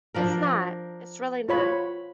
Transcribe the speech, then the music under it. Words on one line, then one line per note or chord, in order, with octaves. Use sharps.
It's not. It's really not.
F3 D4 A#4
F4 C#5 B5